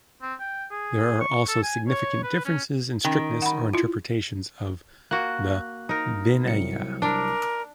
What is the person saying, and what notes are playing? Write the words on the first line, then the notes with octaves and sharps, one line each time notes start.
There are also significant differences in strictness or interpretation of the "vinaya".
C4
G5
G#4
C#6
A4
G#5
C#5
B4
C#4
D#3 C#4 G5
F#5 B5
E4 F4
A#3 F#4 F#6
D#4 A#4
C2 F#3 C#7
D4 A#4